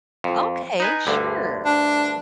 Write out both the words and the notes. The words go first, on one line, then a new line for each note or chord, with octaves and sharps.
Okay, sure.
F2
D#4 B4 G#5
D2 G2 D3
D4